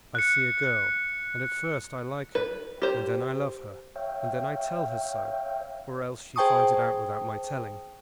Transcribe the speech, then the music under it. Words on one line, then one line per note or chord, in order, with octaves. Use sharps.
I see a girl, and first I like her, and then I love her, and then I tell her so;--or else she finds it out without my telling.
F#6 C#7
B4
G4 C5
C#5 E5 F5 G5
G#4 C5 G5 A5 C#6 D#6